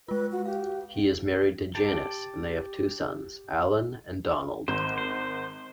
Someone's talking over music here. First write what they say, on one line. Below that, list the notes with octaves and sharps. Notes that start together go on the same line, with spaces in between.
He is married to Janice, and they have two sons, Alan and Donald.
G#3 F4 B4
F#4
G4 F5
G4 G5 A5
G#1 C5
C5